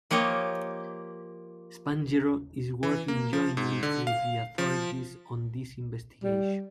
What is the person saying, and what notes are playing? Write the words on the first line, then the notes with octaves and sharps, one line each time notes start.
Spanghero is working jointly with the authorities on this investigation.
F3 A#3 G4 C#5 D#5
E3
A#3
F3
G#2
D3
F5
F3
G3